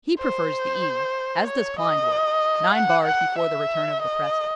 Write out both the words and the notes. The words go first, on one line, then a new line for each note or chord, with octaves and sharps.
He prefers the E--as does Klindworth--nine bars before the return of the presto.
C5
C#5
D#5
F#5
F#5
E5
D#5